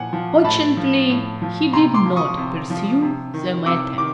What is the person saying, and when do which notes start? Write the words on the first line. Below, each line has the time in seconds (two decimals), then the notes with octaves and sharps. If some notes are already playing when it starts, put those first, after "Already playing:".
Unfortunately he did not pursue the matter....
Already playing: A#2 F3 F#5 G#5
0.13 F3
0.44 A2 A5 B5
0.77 F3
1.10 A2
1.42 F3
1.73 C3 A#5 C6
1.94 C6 D6
2.05 F3
2.16 C#6 D#6
2.37 C3
2.70 F3
3.02 C3
3.34 D#3
3.66 C3 D6 E6
3.98 D#3 D6